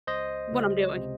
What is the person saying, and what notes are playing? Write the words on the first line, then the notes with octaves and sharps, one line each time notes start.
what I'm doing.
C#2 C5 D#5
C#2
C3